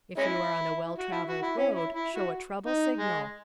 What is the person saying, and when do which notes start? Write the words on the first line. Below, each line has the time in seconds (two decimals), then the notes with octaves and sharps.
If you are on a well-traveled road, show a trouble signal.
0.18 G#3 C#4 E4
0.98 F#4
1.12 E4
1.28 F#4
1.43 E4
1.58 C#4
1.74 E4
1.94 E4
2.15 F#4
2.66 D#4
2.97 G#3